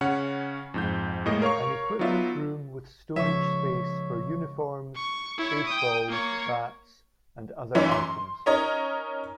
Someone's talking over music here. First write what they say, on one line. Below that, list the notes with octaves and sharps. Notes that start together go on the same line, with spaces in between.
An equipment room with storage space for uniforms, baseballs, bats and other items.
C#3 C#4 F#5
F2 G#2 G6
A2 G#3 A#3 D#5
A#4 C#5 F5 C#6
F#3 B3 D#4 F4 D5 E5
C#2 F3 C#5 E5 C#6
C#6
E4 C#5
G5 D#6
A#3 C#5
F#2 E3 C#4 D#4 E4
C6
C#4 D#4 A#4 C#5 D#5